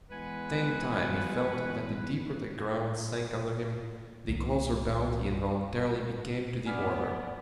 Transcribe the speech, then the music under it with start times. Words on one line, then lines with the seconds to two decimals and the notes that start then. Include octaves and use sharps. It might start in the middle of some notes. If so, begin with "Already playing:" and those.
At the same time he felt that the deeper the ground sank under him the closer bound he involuntarily became to the order.
0.11 E2 G#3 B4 F#5 G#5
4.28 C2 D#3 E3 A#3
6.66 B3 D5 G#5 F6 B6